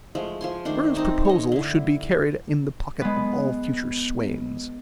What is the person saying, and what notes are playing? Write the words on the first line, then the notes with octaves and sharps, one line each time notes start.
Bernard's proposal should be carried in the pocket of all future swains.
F3 G#3 A3
F3 G#5 C6
D#3 A3 D4 C5
C4 D#4 D#5 A5
C#5 D#5
D3 E4
G#3 B3